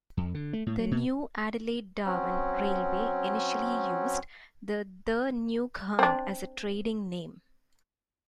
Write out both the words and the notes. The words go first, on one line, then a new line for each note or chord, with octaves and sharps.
The new Adelaide-Darwin railway initially used the "The New Ghan" as a trading name.
F2
D3
A3
A2
F#3
B2
F#3 C4 C#4
C4 D4